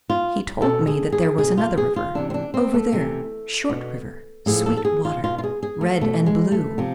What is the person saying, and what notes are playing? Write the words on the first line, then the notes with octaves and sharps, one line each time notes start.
He told me that there was another river--"over there, short river, sweet water, red and blue."
F4
B2 A4
G#4
G#4
B2 G#4
F4
G#4
F4
C3 E3 D4
C4
D4
C4
A3
C3 E3
B2
A2 F3 G#4
A4
A4
G#4
F4
B2 F4
F4
G#4
G#4
A3
B2 A3
G#3
A3
C3 F3